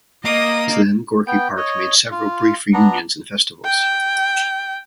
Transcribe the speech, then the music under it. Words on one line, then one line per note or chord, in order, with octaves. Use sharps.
Since then, Gorky Park made several brief re-unions in festivals.
A#3 D#5 D#6
B3 G5
C#5 D#5
F4
B3 D4 A#5
G5